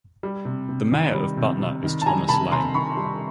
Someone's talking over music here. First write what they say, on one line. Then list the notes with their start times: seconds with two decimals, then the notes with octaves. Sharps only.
The mayor of Butner is Thomas Lane.
0.23 G3
0.45 C3
0.69 C3
0.92 D#3
1.14 G3
1.37 C3
1.60 C3
1.84 D#3
2.01 A5
2.06 G3 G#5 A#5
2.28 C3 A5 B5
2.52 C3 A#5 C6
2.74 D#3 B5 C#6
2.97 G3